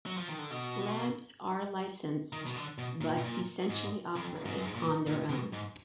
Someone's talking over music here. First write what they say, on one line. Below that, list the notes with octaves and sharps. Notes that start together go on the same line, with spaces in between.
Labs are licensed but essentially operate on their own.
F#3
F3
D#3
D3
B2
D#3
B2
D3
B2
A#2
B2
A#2
G#2
F2
G#2
F#2
G#2
A#2
A#2
B2
G#2